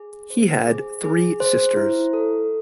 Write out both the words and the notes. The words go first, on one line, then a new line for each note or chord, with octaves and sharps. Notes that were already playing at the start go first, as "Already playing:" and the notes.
He had three sisters.
Already playing: G#4
C5
G#4
G#4
C5
E4
A4